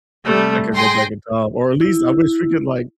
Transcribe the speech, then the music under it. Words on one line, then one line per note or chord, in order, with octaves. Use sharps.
I could go back in time, or at least I wish we could, like
C3 G3 A3
G#4 G5 C6 A#6
E4